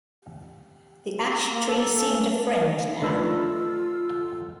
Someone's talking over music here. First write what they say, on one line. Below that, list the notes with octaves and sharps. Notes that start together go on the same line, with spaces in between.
The ash-tree seemed a friend now.
A#3
A4
C#4
A3 D4 D#4 F4 A4 B4 E6